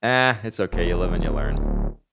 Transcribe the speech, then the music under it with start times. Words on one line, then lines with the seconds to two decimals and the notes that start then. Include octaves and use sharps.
Ah, it's okay, you live and you learn.
0.73 D1